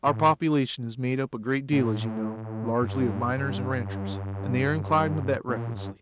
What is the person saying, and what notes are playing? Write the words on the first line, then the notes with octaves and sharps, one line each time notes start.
Our population is made up a great deal, as you know, largely of miners and ranchers, and they are inclined to bet recklessly.
A2
A2
G2
G2
A2
A#2
G2